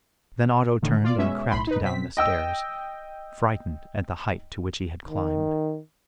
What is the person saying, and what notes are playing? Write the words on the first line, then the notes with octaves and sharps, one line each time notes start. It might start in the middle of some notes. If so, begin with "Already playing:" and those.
Then Otto turned and crept down the stairs, frightened at the height to which he had climbed.
A2 D3 D#3
F4 D5
B2 G#3 C#4 E5
B1 A2 B5 C6
D#4 B4
F#2 B2 C4 B6
D#5 G5 E6
D#3